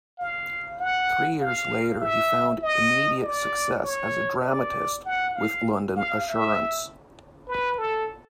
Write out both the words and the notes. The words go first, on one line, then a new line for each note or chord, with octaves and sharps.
Three years later he found immediate success as a dramatist with "London Assurance".
F5
F#5
F5
E5
D#5
D5
C#5
D5
F#5
F5
F5
E5
B4
A4